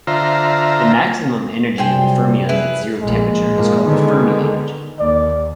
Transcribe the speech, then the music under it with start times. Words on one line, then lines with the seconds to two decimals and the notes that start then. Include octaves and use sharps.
The maximum energy of the fermions at zero temperature is called the Fermi energy.
0.07 D3 F4 C5 E5 A#5
1.78 C3 F#3 G3 G#4 C5 G5
2.49 E4 G#4 B4
3.02 A#1 A#2 G#3
3.53 G#2 F3 A#3
3.82 D3 D#3 B3
5.00 D#2 D5